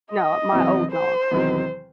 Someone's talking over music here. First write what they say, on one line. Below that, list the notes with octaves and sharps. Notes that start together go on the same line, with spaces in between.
No, my old dog.
D#5
E2 C3 F#3 C4 E4
C5
E2 C3 D#3 F#3